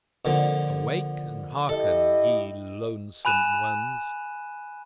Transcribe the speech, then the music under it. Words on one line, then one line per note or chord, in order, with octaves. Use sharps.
Awake and hearken, ye lonesome ones!
F2 A#2 D3
E4 G4 A4 D#5
G#5 B5 F#6 D#7 E7